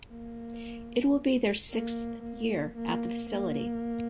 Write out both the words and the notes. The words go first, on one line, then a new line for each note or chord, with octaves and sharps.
It will be their sixth year at the facility.
A#3
A#3
A#3
A#3
A#3